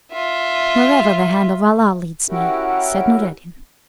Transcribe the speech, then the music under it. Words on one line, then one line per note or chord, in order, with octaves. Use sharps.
"Wherever the hand of Allah leads me," said Noureddin.
F4 E5
C#4 E4 F#4 G4 A#4